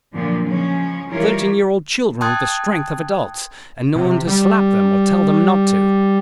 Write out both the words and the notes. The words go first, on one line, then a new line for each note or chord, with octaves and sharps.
Thirteen-year-old children with the strength of adults--and no one to slap them or tell them not to....
A#2 D3 F3 F#3
C#3 F3 G#3 C#4
E3 G3 E4 F4 A#4 C#5
G5 A5 C6 D#6 F#6 G#6
C3
G3